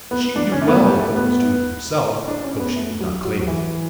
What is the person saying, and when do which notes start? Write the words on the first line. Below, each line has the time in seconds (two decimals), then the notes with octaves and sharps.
She knew well what was due to herself, though she would not claim it.
0.11 B3
0.36 D4
0.52 C#4
0.62 A3
0.68 B3
0.84 G3
0.99 A3
1.16 B3
2.28 D4
2.43 C#4
2.60 B3
2.76 A3
3.01 F#3
3.25 F#3
3.41 F#3
3.48 E3